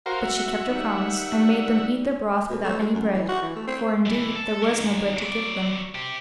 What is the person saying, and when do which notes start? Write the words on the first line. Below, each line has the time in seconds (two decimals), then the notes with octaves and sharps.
But she kept her promise, and made them eat their broth without any bread; for, indeed, there was no bread to give them.
0.06 F#4 A#4 C5 F5
0.22 E5 F#5
0.67 D#3 G3
2.50 B2
2.64 A3
2.80 G#3
2.94 F#2
3.14 E3
3.29 F#4
3.42 E3
3.56 A3
3.68 C4
4.06 B1 E3
4.36 A4
4.62 D#3 G#3
5.25 F#3 D5
5.95 G4 C5